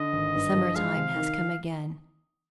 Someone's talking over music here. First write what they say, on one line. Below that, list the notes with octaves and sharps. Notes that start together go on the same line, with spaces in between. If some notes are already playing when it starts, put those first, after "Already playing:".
Summer-time has come again.
Already playing: D3 D#5
G#1
G2
F3
G#3 F5
C3
D#3